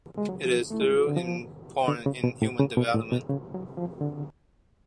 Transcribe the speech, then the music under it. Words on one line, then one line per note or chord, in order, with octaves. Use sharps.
It is thus important in human development.
G#3
F#3
F3
A3
G#3
D3
F3
D3
C#3
B2
A2
C#3
B2
A2
B2
C#3
F#3
F3
D3